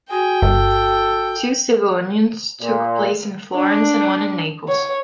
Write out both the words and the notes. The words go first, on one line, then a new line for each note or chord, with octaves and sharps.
Two civil unions took place in Florence and one in Naples.
F#4 G#4 G5
G1 A4
A#2
D4
C#5